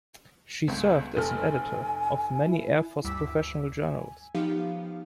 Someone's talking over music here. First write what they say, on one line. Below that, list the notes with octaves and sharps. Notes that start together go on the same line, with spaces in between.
She served as editor of many Air Force professional journals.
G1 C#2
F1 A4 G#5 F6
E4
D2 G2 G3 D6 E6 B6
G#5
F3 B3 D#4 F4 G4 F5